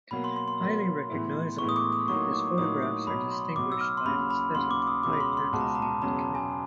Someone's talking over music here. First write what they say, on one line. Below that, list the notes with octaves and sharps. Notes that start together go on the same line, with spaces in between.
Highly recognizable, his photographs are distinguished by an aesthetic of high fantasy and camp.
B2 F#3 A#3 B5
C6
C6
C6
B2 F#3 A#3
A2 E3 G#3 B3 E4
A2 E3 G#3 B3 E4 C#6
D#6
D6
D#6
A2 F#3 A#3 D#4 C#6
D6
A2 F#3 A#3 D#4 D#6
D#6
B1 B2 F#3 B5
C6
B1 B2 F#3 D6
E6
F6
C6
D#2 C#3 F#3 B5
B5
D#2 C#3 F#3 C6
D6
D6
D#6
C#2 B2 G#3 C#4 F#4 D6
B5
C6
C6
C#2 B2 G#3 C#4 F#4 A5
A#5
A5
A#5
A5
E1 E2 C#3 F#3 A#5
A5
G#5